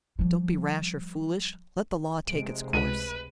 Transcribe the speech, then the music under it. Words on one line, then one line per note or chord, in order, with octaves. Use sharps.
"Don't be rash or foolish; let the law take its course."
F3 G3
F1 C3 G#3 D7
C#2 B4 D#7